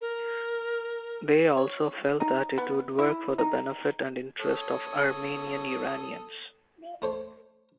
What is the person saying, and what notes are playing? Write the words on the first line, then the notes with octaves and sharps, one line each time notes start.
They also felt that it would work for the benefit and interest of Armenian-Iranians.
A#4
C#5
D#4
B3
E4
D#4
A4 C#5 D#6
A3 C5 C#5